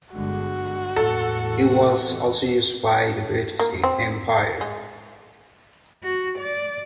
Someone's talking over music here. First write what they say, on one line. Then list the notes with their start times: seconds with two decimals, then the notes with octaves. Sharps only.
It was also used by the British Empire.
0.14 G1 D3 G#3 F#4
0.96 E2 A2 A4
3.59 A#3
3.84 C4
4.61 G#3
6.03 F#4
6.38 D5